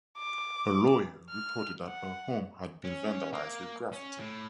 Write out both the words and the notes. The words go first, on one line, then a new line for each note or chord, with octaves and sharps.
Her lawyer reported that her home had been vandalised with graffiti.
D6
F6
F#5
C#4
A#3
C#4
A2